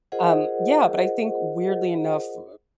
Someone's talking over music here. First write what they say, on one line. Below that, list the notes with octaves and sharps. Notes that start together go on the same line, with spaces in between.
um, yeah, but I think, weirdly enough, m
F4 G#4 A#4 C5 D#5 F#5